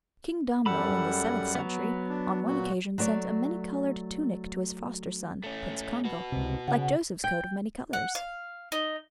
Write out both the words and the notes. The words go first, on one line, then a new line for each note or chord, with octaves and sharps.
King Domnall, in the seventh century, on one occasion sent a many-coloured tunic to his foster-son Prince Congal: like Joseph's coat of many colours.
F#2 G3 A4 F#5 B5
F#3 B3
D4
A#2 F#4
F#3 A3 C#5 D5
A3 C#4
F#4 B4
C#2 C3
C#3 F#5
G5
F#5
F5
D#4